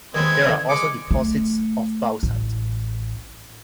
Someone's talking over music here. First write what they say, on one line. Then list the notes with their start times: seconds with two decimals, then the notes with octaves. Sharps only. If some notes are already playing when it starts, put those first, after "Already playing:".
There are also deposits of bauxite.
0.15 D#2 D#3 G#3 B3 C4 G#6
0.45 D3 E3 D4
0.69 G#3 D6 C#7
1.11 A3
2.23 A1